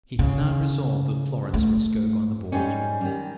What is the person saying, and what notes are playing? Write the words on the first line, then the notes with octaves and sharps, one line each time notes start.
He had now resolved that Florence must go by the board.
C#3
A3
G#2 G3 C#4
D#3 G3